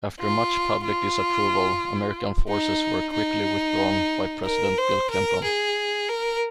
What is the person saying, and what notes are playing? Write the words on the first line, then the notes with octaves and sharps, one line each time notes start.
After much public disapproval, American forces were quickly withdrawn by President Bill Clinton.
F4
F4
D#4
D#4
A#4
C5
A#4
G#4
A#4